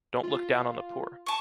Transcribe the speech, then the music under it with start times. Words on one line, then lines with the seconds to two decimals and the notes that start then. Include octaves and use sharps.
Don’t look down on the poor.
0.23 F4
1.26 A5 C#6